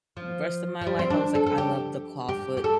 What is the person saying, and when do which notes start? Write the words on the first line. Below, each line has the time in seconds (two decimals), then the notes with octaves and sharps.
rest of my life, I was like, "I love the clawfoot
0.17 F3
0.81 F3
0.87 G3
0.99 C4
1.10 D4
1.35 A4
1.46 A4
1.58 G4
2.29 G4
2.57 G4
2.64 A4